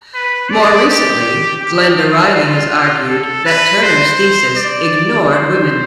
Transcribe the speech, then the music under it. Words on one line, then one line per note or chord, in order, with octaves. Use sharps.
More recently Glenda Riley has argued that Turner's thesis ignored women.
B4
D5
G4
G4
F4
F4
A4
B4
C5
D5
C5